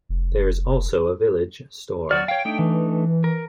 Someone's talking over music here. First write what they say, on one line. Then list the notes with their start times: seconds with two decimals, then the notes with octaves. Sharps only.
There is also a village store.
0.09 F1
2.11 F#3 F#4 D5 F6
2.28 C#5 F5 G5
2.45 A3 D4 D#4
2.59 E3
3.24 A#4